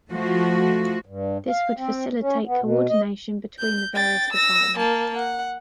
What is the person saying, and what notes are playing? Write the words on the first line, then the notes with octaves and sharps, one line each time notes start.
This would facilitate coordination between the various departments.
F3 A3 F#4
G2
F5
C4
C#4
B3
B2
D#5
G6
G5 A6
E6 A#6
A#3 A5
F#5